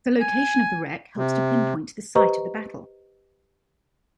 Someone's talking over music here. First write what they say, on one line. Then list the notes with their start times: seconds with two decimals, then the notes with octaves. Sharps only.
The location of the wreck helps to pinpoint the site of the battle.
0.21 G#5
1.17 C3
2.15 G4 B4 C5 D#5 A#5 C#6